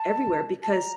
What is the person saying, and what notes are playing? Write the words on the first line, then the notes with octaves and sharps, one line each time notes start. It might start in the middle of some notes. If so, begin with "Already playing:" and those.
everywhere? Because
Already playing: A5
A5
A#5